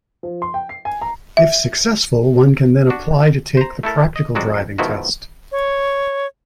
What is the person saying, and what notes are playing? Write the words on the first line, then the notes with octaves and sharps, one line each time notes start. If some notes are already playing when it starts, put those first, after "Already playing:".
If successful, one can then apply to take the practical driving test.
F3
C6
G5
C7
G#5
A#5
E5
D4 F#4
C5 A#5
A3 E4 A4 A#4
D#5
F2 F#3 G#3 F#4 D5
G#2 B2 D#3 F3 E4 F#4
C#5